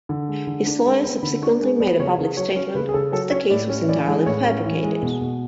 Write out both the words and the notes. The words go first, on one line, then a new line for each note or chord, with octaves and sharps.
His lawyer subsequently made a public statement that the case was entirely fabricated.
D3
G#3
D3
D4
G#3
B3
D3 B5
D4 C#6
G#3
B3 D5
C#3 C#5
C#3
F#3 C#5
C#4
C#3 B4
G#4
C#3 A4
F#3 A4
C#4 C#5
A2 D5
C#4
E3 D5
G#3
A2 C#5
C#4
E3
G#3
B2
B2